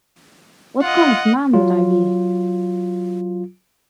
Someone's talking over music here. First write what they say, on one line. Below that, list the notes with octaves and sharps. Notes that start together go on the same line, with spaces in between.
What Kind Of Man Would I Be?
F4 D#5 F#5
F#3 F4